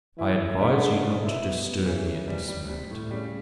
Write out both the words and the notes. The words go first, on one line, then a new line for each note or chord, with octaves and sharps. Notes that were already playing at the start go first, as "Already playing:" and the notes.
"I advise you not to disturb me at this moment."
E3 E4
E4
D3 G3
B3
B2
E4
B3
B3
C#3 E3
E3
C3 G3
G3
C3 G3
A2
C#3 G3